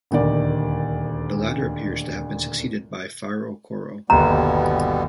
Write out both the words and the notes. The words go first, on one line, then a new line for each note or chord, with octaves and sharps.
The latter appears to have been succeeded by Fara Coro.
D#1 D2 D#3 D5
G1 D#2 B2 G3 B3 A#5